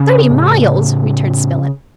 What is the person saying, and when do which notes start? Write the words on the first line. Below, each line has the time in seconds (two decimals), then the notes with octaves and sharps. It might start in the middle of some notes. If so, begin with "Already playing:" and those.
"Thirty miles!" returned Spilett.
Already playing: C#3 C#4
0.30 A2